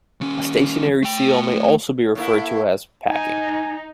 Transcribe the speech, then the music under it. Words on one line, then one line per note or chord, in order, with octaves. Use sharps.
A stationary seal may also be referred to as 'packing'.
D#2 C#4
A3 G5
A2 A#3 E4
D#4 G#5